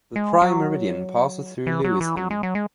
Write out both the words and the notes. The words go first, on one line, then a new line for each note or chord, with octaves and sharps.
The Prime Meridian passes through Lewisham.
G#3
F#3
E3
F#3
E3
F#3
G#3
F#3
G#3